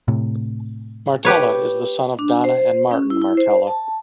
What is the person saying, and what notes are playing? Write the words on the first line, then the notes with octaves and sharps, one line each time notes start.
Martella is the son of Donna and Martin Martella.
A2 C3
G4 B4 C#5
D4
C5
C#4
E4
E4
C5
A5